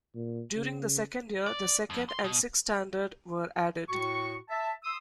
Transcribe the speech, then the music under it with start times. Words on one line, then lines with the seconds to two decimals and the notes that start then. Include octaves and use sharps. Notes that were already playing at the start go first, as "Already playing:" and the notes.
During the second year, the second and sixth standard were added.
0.15 A#2
0.56 C#3
1.46 D5
1.90 F2
2.09 C6
2.24 B2
3.89 A2 F#4 C#6
4.49 E5 A5
4.84 C6 D#6 E6